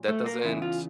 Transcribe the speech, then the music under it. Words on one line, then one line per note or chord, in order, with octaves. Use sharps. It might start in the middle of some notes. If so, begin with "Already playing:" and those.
that doesn't
Already playing: A#2 F#3
A3
A#3
E2 C#3 E3 E4
F4